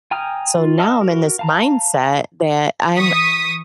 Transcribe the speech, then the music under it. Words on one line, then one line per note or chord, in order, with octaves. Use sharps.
So now I'm in this mindset that I'm
G5 G#5 A#5 D#6 F6
F4
D#5 F5 A5 E6 F6
F#4 A#4
F5 A5 A#5
E3 C#6 D#6 B6